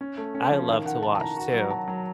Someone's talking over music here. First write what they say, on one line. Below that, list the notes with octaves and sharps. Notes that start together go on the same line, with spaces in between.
I love to watch too.
C#4
A3
C#4
F3
D#3 F5
D#3 F#5
D#3 A5
A5
D#3 A#5
F#4
F#3 A#5
F#3 A5
F#3